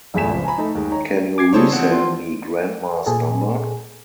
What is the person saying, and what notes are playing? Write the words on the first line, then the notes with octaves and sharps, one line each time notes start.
Can you resend me grandma's number?
A#1 E2 A2 G#4 B6 E7
C#2 F3
G#5 A#5 B5
A3 D#4
D#2 G#3
D#4 C#5 A#5
D6 G#6 C7
C#3 G3 G#4 A4 C5 C#5
E3 F3 C4 F#5
F4
A#2 G#4 A4